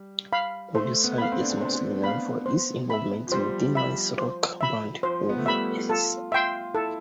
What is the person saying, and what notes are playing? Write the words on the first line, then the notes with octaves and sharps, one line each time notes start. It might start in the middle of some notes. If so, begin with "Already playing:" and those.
Olson is mostly known for his involvement with the noise rock band Wolf Eyes.
Already playing: G3
F5 B5
A3 C5
B3
F5 B5
C4
D4
C4
D4 C5
B3 F5 B5
C5
E5 B5
F3
G3 C5
F3 E5 B5
C5
E5 B5
F3 C5
B3
A3
G3 E5 B5
F4 A4
F4 E5 G5 C6
E4 A4